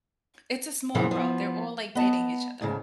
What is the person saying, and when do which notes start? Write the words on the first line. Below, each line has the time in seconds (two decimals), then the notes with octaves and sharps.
It's a small world, they're all, like, dating each other.
0.94 F#2 A#2 C#3 E3 F3
1.11 F3 B3
1.95 B3 D#5 A5
2.61 D2 G#2 C#3